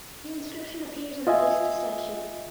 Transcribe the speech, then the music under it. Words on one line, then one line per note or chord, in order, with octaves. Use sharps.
The inscription appears on the base of the statue.
F4 D#5 E5 G#5